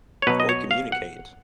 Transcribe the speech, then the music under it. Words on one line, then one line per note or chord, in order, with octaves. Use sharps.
Or communicate.
C#5
B2 F#3 B4
D#5
C#5
F5
F#5